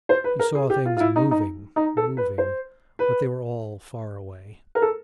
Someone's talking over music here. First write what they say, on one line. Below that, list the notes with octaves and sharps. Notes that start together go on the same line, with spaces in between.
He saw things moving, moving, but they were all far away.
C5
B4
A#4
G#4
G4
F4
F4
E4
D#4
D#4
D#4
A4
B4
C5
B4
A#4
A4